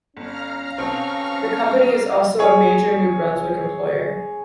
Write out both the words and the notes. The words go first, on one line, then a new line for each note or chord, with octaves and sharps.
The company is also a major New Brunswick employer.
G1 C#4 F5 A#5 F6
B2 C4 A4 C#6
G#4 C#5